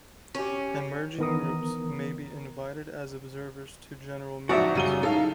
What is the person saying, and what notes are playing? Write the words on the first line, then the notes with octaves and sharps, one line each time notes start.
Emerging Groups may be invited as observers to General Meetings.
C#4 G4 C#5
D#3 E3 B3 A#4 A#5 D#6
F2 G#2 F#3 F#4 D5 E5
F#2 C#3 G3 D#7 G7
D#4 E4 A4 F5